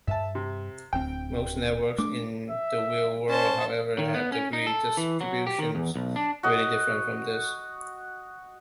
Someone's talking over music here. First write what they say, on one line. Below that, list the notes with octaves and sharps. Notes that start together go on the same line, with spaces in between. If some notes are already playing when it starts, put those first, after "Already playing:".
Most networks in the real world, however, have degree distributions very different from this.
G2 E5 A5
C3
D1 D2 C4 G5
A3 D4 D6
E5
C#4 C5 A5
D#3
B3
C#4
D#4
A4
E3
F#3
G4
D#3
E2
B1
D4
F#4 D#5